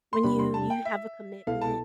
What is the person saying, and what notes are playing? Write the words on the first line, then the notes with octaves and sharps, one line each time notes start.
when you you have a commitment,
C6
E2 C3 G3 D4 G4 B5
C6
A5
G5
E5
C2 B2 B3 E4 A4 F5
A5